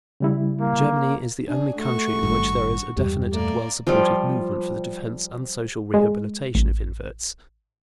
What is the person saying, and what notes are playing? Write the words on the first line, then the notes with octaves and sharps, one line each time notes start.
Germany is the only country in which there is a definite and well-supported movement for the defense and social rehabilitation of inverts.
C#3 G3 E4
A#3
D4 G#4
A3 F#4 C#6
G#1 G2
E2 G2 G3 G4
A3 A#3 D5
F3 G3
G#3
A1